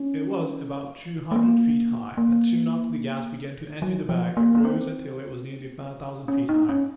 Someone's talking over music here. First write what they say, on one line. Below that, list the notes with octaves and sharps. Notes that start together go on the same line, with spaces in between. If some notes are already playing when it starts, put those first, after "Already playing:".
It was about two hundred feet high, but soon after the gas began to enter the bag it rose until it was nearly five thousand feet high.
Already playing: C#4
A3
A#3
A#3
F#3
F3
A#3
A#3
C4
C#4
D#4
C#4